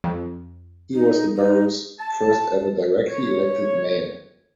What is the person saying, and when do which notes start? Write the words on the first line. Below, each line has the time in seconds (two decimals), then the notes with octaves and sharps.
He was the Borough's first ever directly elected mayor.
0.04 F2
0.93 D#4
1.35 D#4
1.99 A5
3.09 C#5